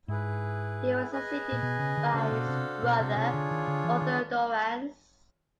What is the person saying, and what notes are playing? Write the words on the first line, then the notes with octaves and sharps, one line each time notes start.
He was succeeded by his brother, Arthur Dorrance.
G#2 E4 G#4 B4
G#4 B4 D#5 G#5
A#2
B2
C#3
D3
C#3 D4 F#4 A4 C5 F5
B2
C3
B2
C3
C3 D4 F4 G#4 C#5
D3
D#3
D3
E3
D#3